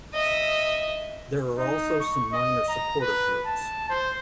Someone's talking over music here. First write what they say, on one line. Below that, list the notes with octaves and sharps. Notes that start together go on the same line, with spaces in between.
There are also some minor supporter groups.
D#5 E5
D#4
C#6
D#5
A#5
B4
A5
C5